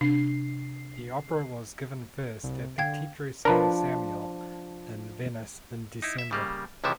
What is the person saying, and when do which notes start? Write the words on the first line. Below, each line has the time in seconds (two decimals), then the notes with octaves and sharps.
The opera was given first at the Teatro San Samuele in Venice in December.
0.01 C3 D4 C7
2.44 C2
2.78 D3 F5 G5 G#6
3.45 F3 D4 A#4 B4
6.02 D#4 E4
6.18 E5
6.31 C#3 G3 A#3
6.84 C#2 C3 E3 F3 E5